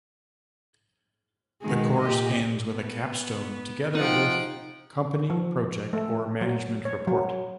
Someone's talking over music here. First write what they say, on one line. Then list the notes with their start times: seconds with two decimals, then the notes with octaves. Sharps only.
The course ends with a capstone together with company project or management report.
1.62 B2 D#3 G#3
1.99 A#2 G4 D#5
2.71 B3
3.95 F3 D#4 F#5 G5
5.30 F3
5.93 A3
6.41 F#3
6.85 C#5
7.07 F#3